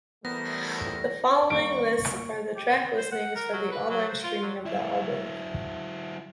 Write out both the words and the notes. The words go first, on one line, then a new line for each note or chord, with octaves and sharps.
The following lists are the track listings for the online streaming of the album.
E3 G3 A3 B3 A#4 C5 A#6
D#3 G3 A#3 C#4 C#6 D7
G4
B3
C5
F#5
A#4
F#3
B4
F#3
C5
F4
F#3
F#3 E4